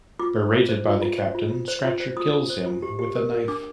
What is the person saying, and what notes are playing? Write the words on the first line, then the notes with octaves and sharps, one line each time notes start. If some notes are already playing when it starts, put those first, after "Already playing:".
Berated by the captain, Scratcher kills him with a knife.
F4 D6
C5
F4
C5
F4
F4
C5
F4
F4
C5
F4
C5
F4 D#6
F4
C5
F4
G4
G4
A#4
A#4
D4 D6